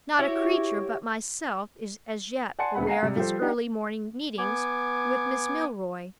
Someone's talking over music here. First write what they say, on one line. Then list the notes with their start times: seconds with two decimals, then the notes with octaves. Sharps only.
Not a creature but myself is as yet aware of his early morning meetings with Miss Milroy.
0.19 E4 F#4 G4 C#5
2.59 D5 F#5 G#5 A5 C6 C#7
2.75 D#1 D2 B3 F#5 B5
2.87 F5 F#5 G#5 A#5 C7
3.03 C3 G3
3.16 F3 G3 G4 A4 C5
3.41 D4 D#4 G4 F#5
4.38 B3 G#5 D6